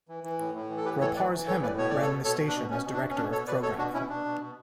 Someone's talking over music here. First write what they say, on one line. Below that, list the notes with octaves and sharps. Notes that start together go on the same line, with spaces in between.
Roparz Hemon ran the station as Director of Programming.
E3
E3
A2
A2
E3
A4
A2 G4 B4
E3 A4 C#5
E3 B4 D5
E3
A2 A4 C#5
A2 B4 D5
B2 C#5
B2 D5
A4 C#5
B2
B2 A4 C#5
B2
D4
B2
B2 C#4
B2
D4
B2
C#4
B2 D4
B2 A4 C#5
B2 B4 D5
B2 A4 C#5
B2 D4 F#4
B2 C#4 E4
B2 D4
B2
B2